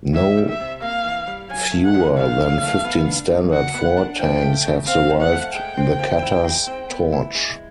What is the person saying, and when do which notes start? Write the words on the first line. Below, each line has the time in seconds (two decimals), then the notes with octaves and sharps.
No fewer than fifteen Standard Four tanks have survived the cutter's torch.
0.14 E3 E5
0.37 G3
0.49 E5
0.60 C3
0.82 A#3 F5
1.05 E3
1.28 G3
1.50 F#3 G#5
1.72 A3
1.84 F#5
1.94 D#3
2.17 D#3 F5
2.40 F#3
2.63 A3
2.84 B3
3.07 D4
3.30 F#3
3.52 F#4 F#5
3.74 B3
3.97 D4
4.19 F3 G5
4.42 A3
4.65 C#3
4.87 C4 F5
5.10 F3
5.21 F#5
5.32 A3
5.55 G#3 G5
5.77 C4
5.99 F3
6.22 E4
6.44 G#3
6.67 C4
6.90 B3
7.12 E4
7.35 G#3